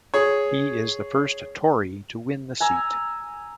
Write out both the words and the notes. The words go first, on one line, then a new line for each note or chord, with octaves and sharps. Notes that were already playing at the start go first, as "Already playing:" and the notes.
He is the first Tory to win the seat.
G#4 C#5
G#5 A#5 E6